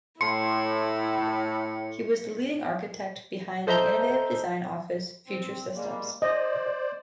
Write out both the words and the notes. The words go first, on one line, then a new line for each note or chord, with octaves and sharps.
He was the leading architect behind the innovative design office, Future Systems.
A2 E4 C6 C#7
A4 C5 D#5 E5 A#5 G6
C4
G3 G#3 A#3
C5 D5 D#5